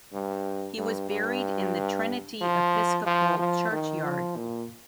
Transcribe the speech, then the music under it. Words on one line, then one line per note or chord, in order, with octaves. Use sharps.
He was buried in the Trinity Episcopal Churchyard.
G2
G2
G2
F3
F3
F3
D#3
F3
A#2